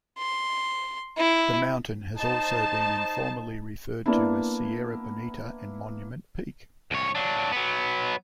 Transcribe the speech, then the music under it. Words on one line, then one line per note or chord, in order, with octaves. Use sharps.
The mountain has also been informally referred to as Sierra Bonita and Monument Peak.
C6
E4
D#4 C5 A5
A#3 B3 D4 E4
C2 C#5
F#3 D4
F#3 B3